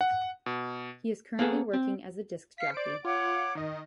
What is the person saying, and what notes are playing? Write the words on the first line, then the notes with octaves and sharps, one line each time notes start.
He is currently working as a disc jockey.
F#5
B2
A#3 B3 G#4 A4
C4
F5 F6 B6 C#7
C5 D5 D7
F4 C#5 F#5 D6
D#3 D#5